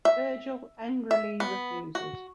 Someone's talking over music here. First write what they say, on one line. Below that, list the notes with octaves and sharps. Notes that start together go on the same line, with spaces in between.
Virgil angrily refuses.
E5
E5
B3
F#4